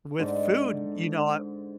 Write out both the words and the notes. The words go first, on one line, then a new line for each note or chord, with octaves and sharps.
With food, you know I
G#2 D3